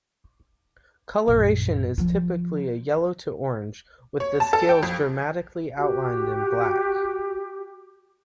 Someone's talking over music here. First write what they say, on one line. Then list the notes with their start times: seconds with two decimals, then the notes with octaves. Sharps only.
Coloration is typically a yellow to orange, with the scales dramatically outlined in black.
1.28 A#1 F#2
1.98 F3 F4
4.20 C#5
4.40 A5
4.53 A4
4.69 G5
4.83 F2
5.78 F#4 G4